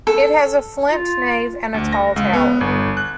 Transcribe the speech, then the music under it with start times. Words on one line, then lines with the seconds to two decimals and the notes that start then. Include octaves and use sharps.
It has a flint nave and a tall tower.
0.07 A4
0.91 F4
1.74 D2
1.93 A#6
2.16 C#2
2.33 B3
2.61 G1
2.97 F#6